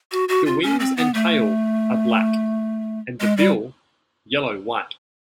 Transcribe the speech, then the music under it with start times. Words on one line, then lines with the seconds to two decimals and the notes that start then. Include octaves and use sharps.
The wings and tail are black and the bill yellow-white.
0.12 F#4
0.29 F#4
0.46 F4
0.63 C#4
0.80 C4
0.97 B3
1.14 A3
3.20 G#3
3.37 G3